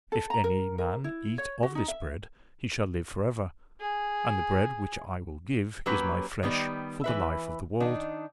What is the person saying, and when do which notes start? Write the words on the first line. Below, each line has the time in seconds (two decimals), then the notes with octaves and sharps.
If any man eat of this bread, he shall live forever; and the bread which I will give is My flesh, for the life of the world....
0.12 A4
0.30 A#5
0.44 A#4
0.78 A#4
1.04 E4
1.38 C#5
1.63 F#4
1.75 D#4
1.88 E5
3.80 G#4
5.86 F#3 A#3 C#4 G4 B4
6.43 D#3 G3 B3 G4
7.04 E3 B4 E5
7.80 D#3 D4 D#4